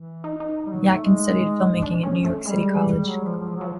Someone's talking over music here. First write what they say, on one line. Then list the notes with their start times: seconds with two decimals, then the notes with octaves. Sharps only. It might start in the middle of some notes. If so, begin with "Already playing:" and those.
Yakin studied filmmaking at New York's City College.
Already playing: E3
0.24 D#4
0.40 D#4
0.67 G3
0.72 F#3
0.87 A3
1.03 G#3
1.82 D4
2.03 C#4
2.24 A3
2.45 G3 G#3
2.97 G3
3.09 F#3
3.24 F3
3.41 F3
3.56 F3 F#3